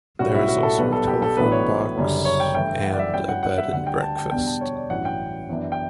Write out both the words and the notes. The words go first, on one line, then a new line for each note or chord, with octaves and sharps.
There is also a telephone box and a bed and breakfast.
B1 A2 G3 C#4 F#4
E4
F#4
A4
B1 B2 G3 B4
A4
G4
A4
A1 A2 F#3 B3 D4 B4
C#5
F#1 F#2 D3 G3
C#5
G5
G2 E3 A3 E4 G5
F#5
D5
E5
G2 F#3 C#4 E4 G5
F#5
F#5
E5
D2 D3 G3 F#5
G5
A5
G5
E2 B2 G3 B3 D4 G5
A5
C#5
D5
A1 G2 F#3 C#4 E4 F#5
G5
F#2 E3 B3 D4
G5